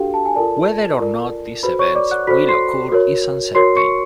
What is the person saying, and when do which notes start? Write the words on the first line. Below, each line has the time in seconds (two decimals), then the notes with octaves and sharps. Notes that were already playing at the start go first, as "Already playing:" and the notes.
Whether or not these events will occur is uncertain.
Already playing: D4 F#4 G4 A4 F5 G5
0.14 A5
0.25 G#5
0.35 F4 A4 A#4 D5 A5
1.00 F4 A#4 D5
1.63 F#4 A4 B4 C5 B5
1.79 C#5 C#6
1.95 D5 D6
2.11 F#5 F#6
2.27 F#4 A4 C5 B5 B6
2.49 C6 C7
2.92 F#4 A#4 C#5
3.55 F#4 A#4 C#5 C6 C7
3.77 C#6 C#7